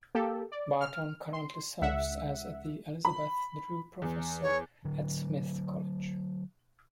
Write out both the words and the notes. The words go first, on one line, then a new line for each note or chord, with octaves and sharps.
Barton currently serves as the Elizabeth Drew Professor at Smith College.
A#3 G4 A4
D5
F6
C6
C#2 E5 F#5
B5
E2
C#5
D3 F#3